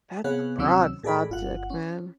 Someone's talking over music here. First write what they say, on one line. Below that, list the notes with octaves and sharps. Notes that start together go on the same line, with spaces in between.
That's a broad subject, man.
C3 B3 G#4 C#5 F5 F#6
D2 C3 D#3 F#3 C#4 E6
A2 G#4 A4 D5 B5
G1 F4 F#5
C#4